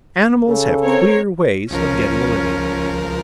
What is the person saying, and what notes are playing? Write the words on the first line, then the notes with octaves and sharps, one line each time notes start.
Animals have queer ways of getting a living.
C#3 A4
C4 A#4 C#5
C#2 F3 C#4 A#4